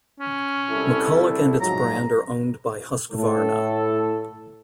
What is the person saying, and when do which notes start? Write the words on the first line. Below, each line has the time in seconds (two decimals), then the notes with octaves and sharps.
McCulloch and its brand are owned by Husqvarna.
0.20 C#4
0.71 C2 E4 A4
1.61 G#2 F3 F#3 A#5
3.12 A2 A4